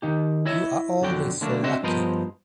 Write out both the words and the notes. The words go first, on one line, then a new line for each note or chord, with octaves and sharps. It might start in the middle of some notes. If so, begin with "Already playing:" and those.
You are always so lucky.
D#3 D#4 G4
E4 C#5 D#5 E5
B1 F2 D3 F#4 G5
D3 F#3 A3 A#3 D4
C4 D4 F#4 C5 D#5 E5
G2 F3 B3 A#4 C5 D#5